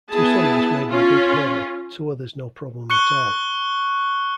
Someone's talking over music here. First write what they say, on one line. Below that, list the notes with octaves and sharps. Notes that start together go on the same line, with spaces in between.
To some this may be a big hurdle, to others no problem at all.
B3 E4 G#4 A5
C#4 F4
C#6 F#6 C#7 G7